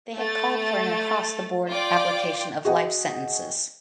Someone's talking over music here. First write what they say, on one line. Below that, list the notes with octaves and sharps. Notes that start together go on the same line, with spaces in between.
The had called for an across the board application of life sentences.
A3 A6
F4 D5 G5 D6
F#4 G#4 D#5 F#5 G5